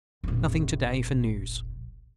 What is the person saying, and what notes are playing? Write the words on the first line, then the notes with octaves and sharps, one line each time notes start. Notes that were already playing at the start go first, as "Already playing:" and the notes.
Nothing to day for news.
F1 A#1